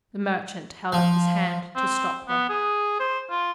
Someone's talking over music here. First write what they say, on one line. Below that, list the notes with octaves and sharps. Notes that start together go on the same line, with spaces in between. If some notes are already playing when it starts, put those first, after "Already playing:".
The merchant held up his hand to stop her.
F3
C4
B3
G#4
C5
F4